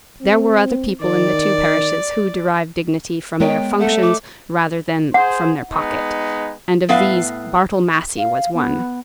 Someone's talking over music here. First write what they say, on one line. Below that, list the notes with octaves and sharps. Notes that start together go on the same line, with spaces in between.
There were other people in the two parishes who derived dignity from their functions rather than from their pocket, and of these Bartle Massey was one.
C4
D#3 D5
G#3 B3 A#4 C#5 D#5 G5
A3 F#5
D6
G#4 C5 F#5
G#3 B3 D#4
A2 B3 B4 E5 F5
F5
B3